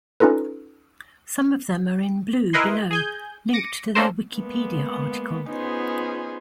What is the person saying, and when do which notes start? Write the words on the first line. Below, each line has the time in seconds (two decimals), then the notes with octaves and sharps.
Some of them are in blue below, linked to their Wikipedia article.
0.20 C#4 D#4 F4 A4 B4
2.53 E4 A#4 B4 D#5 G#5 C6
2.91 G#4 G#5 G6
3.53 D6 A#6 C#7 D#7
3.95 A#3 C#4 D4 A4 A#4 C5
4.33 G#3 A#3 B3
5.48 B3 C#4 D#4 F4 G#4 C5